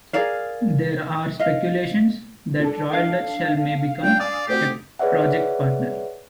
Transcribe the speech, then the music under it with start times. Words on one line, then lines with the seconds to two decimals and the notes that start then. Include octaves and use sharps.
There are speculations that Royal Dutch Shell may become a project partner.
0.13 G#4 A#4 D5 F5
1.39 D#5 F5
2.60 D4 A4
2.93 F5
4.03 C#4 D4 G5
4.20 D5 G#5 D#6
4.48 A3 C4 F#4 G4
4.99 G#4 B4 C#5 D5 E5 F#5